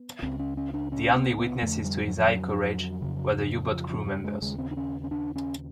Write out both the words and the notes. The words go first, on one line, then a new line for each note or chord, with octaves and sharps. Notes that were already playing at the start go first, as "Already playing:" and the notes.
The only witnesses to his high courage were the U-boat crew members.
Already playing: B3
C#2 C#3 C4
C#4
C#4
D4
C#4
B3
B3
F2 D3 A3
G3
F#3
F3
F#3
F2 C#3
F3
F3
G3
G#3
D#2 C#3 G#3
C4
D4
C#4
C#4
D4
C#4